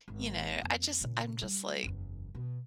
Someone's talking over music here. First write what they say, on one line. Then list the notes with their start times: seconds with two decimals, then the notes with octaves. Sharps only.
you know, I just, I'm just, like
0.08 G#1
0.62 F2 A#3
1.01 A#2 C#3
1.42 G3
1.83 F#1 E2
2.35 B2